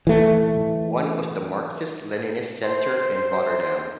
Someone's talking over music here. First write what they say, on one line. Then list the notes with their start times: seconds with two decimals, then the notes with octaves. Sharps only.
One was the Marxist-Leninist Centre in Rotterdam.
0.07 E3 A3
2.64 C5